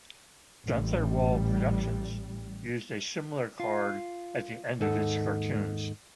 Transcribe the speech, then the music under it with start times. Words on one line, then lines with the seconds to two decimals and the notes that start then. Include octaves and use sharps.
Gunther-Wahl Productions used a similar card at the end of its cartoons.
0.66 A1 G3
3.60 F4
4.79 D#2 G#2 D#4 A4 F#5